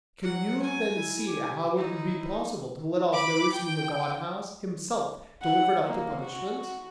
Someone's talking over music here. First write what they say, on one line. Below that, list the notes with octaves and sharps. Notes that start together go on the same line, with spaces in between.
Can you then see how it would be possible to let off those whom a god has, himself, delivered up to punishment?
F#3 F#5
G#5
E4
G4
D#4 E4
B5 D6
G5
F#5
A#3
F#4